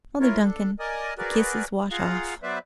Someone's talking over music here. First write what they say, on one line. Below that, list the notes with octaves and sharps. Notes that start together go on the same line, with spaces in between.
"Mother Duncan, do kisses wash off?"
E4 F4 A#4 C#5
D4 A4
A#4 D5 D#5 G#5 D#6
F#4 G#4 A#4 B4 D5
F4 G#4 F5 F#5 A#5
F#3 B3 B4 C5 D5 E5